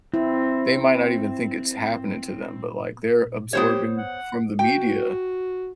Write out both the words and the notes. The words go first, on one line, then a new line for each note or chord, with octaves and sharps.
they might not even think it's happening to them, but, like, they're absorbing from the media.
C4 E4
B3 G4 C5 C#5
F#5
F#4 G5